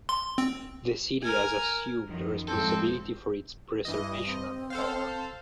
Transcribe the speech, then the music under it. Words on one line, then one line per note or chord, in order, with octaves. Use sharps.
The city has assumed responsibility for its preservation and care.
C6
C4
A#4 G#5
F#2 D#3 F3
F2 A2 G#3 C4 A4
G2 E3 D#5
C4
A4 C5 F5